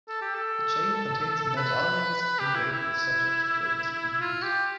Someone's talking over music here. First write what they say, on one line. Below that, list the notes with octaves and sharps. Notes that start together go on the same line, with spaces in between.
The chain contains medallions engraved with subjects of local significance.
A4
G4
A4
A4
B4
B4
G4
E4
E4
F4
G4